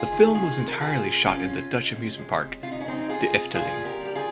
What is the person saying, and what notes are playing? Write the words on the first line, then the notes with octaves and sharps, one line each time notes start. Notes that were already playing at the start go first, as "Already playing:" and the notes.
The film was entirely shot in the Dutch amusement park De Efteling.
Already playing: G#3 F4 G#4
D#3
C3 F4 G#4
C3
A#4
G#3 F4 G#4
C3
C3 C#4 F4
C3
G#3
C3
G#3
C3
C3 F4
D#4
C#4
G#3 C4 D#4
C3 F4 G#4
C3
G3 F4 G#4
A#2
G4 A#4
G3 G4
F4 G#4